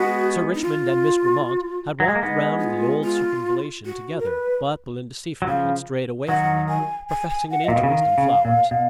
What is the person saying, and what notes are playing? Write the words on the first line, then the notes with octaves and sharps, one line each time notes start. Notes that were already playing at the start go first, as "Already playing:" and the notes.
Sir Richmond and Miss Grammont had walked round the old circumvallation together, but Belinda Seyffert had strayed away from them, professing an interest in flowers.
Already playing: G#3 B3 F#4
D#4
F4
F#3
G#3
A#3
G#3 B3 D#4
D#4
F4
F4
F#4
A#4
B4
F#3
C#3 F3 F5
D#3 F#3 F#5
G#5
G#5
G#5
F#5
D#5
A#2 F5
B2
C#3
D#3
C#3
A#2
B2